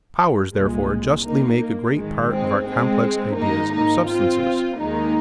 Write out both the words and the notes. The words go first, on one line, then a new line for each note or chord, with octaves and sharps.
POWERS therefore justly make a great part of our complex ideas of substances.
C2 A#2 G#3
A#3 D#4
A#3
G#1 G#2 D#3 G#3
G#3 C4
G#3 C4
G#1 G#2 G#3 A#3 D#4
A#3 D#4
C4 F4
D#2 D#3 G#3 A#3 D#4